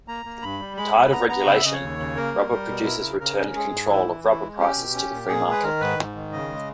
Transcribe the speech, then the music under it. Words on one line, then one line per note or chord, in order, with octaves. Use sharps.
Tired of regulation, rubber producers returned control of rubber prices to the free market.
A#3 A#5
A#3
G2 B5
G3
G#3 B5
B3
B3 A#5
B3 A#5
C#3 G5
E5
C#3 D#5
C#5
D#2
C#3
A#3 A#4
G3
G3
B2
E4
C#3
C#3 A#4
C#4
G#3 G#4
G#2
E3 E4
E3
E4
G#3
C#4 G4
B2
C#4
A#2
A#2 G#4
G#3 B4
D#3 A#4
G#2 B4
G#2
D#3
C#3 D#5
G#3